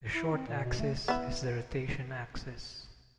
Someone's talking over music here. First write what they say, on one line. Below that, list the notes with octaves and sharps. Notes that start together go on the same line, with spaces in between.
The short axis is the rotation axis.
E4
C4
A#2
B2
A3
B3 E4